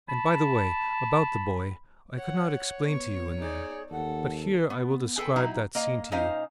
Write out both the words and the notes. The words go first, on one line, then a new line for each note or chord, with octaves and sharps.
And, by the way, about the boy: I could not explain to you in there, but here I will describe that scene to you.
A5 B5
C#5 F#5
B3 C#6
D#4 G#4 D5
D#2 A4 F#5
B3
G#4 A4 B4 G5
F#3 D#4 E4
A#3 D#5 F5
A#2 C#4 D#4 C5 D#5 F5